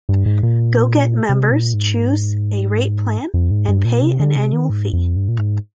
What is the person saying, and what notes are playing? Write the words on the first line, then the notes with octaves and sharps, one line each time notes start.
GoGet members choose a rate plan and pay an annual fee.
G2
G#2
A#2
C3
A#2
G#2
F2
G#2
G2
A#2
C3
D3
C3
D#3
G#2
F2
G2
A#2
G#2